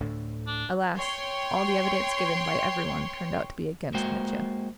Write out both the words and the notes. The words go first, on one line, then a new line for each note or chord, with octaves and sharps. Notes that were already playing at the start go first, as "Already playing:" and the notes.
Alas, all the evidence given by every one turned out to be against Mitya.
D2 A2 D3
D4
C#5 G5 C6
G#3 A#3 F#4 C5 G5